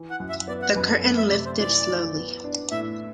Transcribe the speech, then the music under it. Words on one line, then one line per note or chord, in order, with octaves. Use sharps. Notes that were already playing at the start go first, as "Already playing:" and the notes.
The curtain lifted slowly.
Already playing: E3
F#5
F#2
E5
B3 D5
F#5
F#2 B4
A4
A3 B4
E5
C3 D5
C5
E3 D5
E3
B3
D4
A2 E5